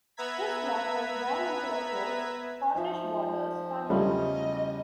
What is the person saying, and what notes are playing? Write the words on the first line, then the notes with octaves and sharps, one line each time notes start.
Hislop was born into a close, Scottish Borders family.
B3 B4 E5 A#5 G#6 B6
F3 D#4 F4 E5
E2 C#3 G3 A3 C#4 F4 D#5